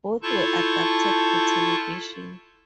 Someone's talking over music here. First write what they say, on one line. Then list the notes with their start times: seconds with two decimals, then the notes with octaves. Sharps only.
Both were adapted for television.
0.22 E4 F4 A4 A5 C#6 G6